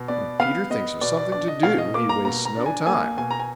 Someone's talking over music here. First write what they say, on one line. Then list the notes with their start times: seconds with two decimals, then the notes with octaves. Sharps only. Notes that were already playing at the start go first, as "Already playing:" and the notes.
When Peter thinks of something to do he wastes no time.
Already playing: B2
0.08 B3 D5
0.40 B3 F5
0.70 B3 D#5
1.01 B2 D5
1.17 D5
1.32 D4 D5
1.48 D#5
1.63 B2 F5
1.78 D#5
1.94 A#3 D6
2.09 A#5
2.25 B2 A#5
2.45 A#5
2.56 D4
2.66 G#5
2.86 A#3 G#5
3.17 B2 G#5
3.31 A#5
3.39 G#5